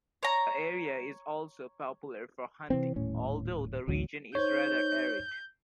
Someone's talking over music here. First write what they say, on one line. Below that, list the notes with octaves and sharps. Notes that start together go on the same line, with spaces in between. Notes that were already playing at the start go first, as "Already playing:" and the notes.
The area is also popular for hunting, although the region is rather arid.
C#5 A#5
C3 E3 C4
D#1 A2 C#4
A1 D2 F#3
D#4 C5 C#5 G6